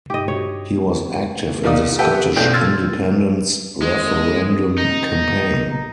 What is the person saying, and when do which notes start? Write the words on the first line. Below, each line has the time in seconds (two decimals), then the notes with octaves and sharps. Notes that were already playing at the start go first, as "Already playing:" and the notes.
He was active in the Scottish independence referendum campaign.
0.10 G2 D#4 G4 D#5
0.28 D4 F#4 G4 C#5
1.63 C2 A#3 D#4 F4 D5 D#6
1.99 G4 A4 B4 E5 F#5 G5
2.36 F#1 B1 A3 D4 G5 G6
2.54 C6 E6 F6 G#6 A6
3.82 G#3
4.78 D#4